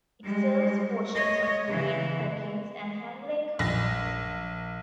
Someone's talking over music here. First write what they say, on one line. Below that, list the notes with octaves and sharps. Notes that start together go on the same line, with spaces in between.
It serves portions of Greene, Hawkins and Hamblen counties.
G3 G#3
C#5 D#5
C#3 E3
A#1 A#6